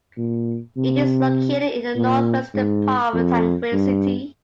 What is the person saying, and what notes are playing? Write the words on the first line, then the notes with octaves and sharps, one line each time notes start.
It is located in the north-western part of Taguig City.
A#2
C3
A#2
G#2
F2
G2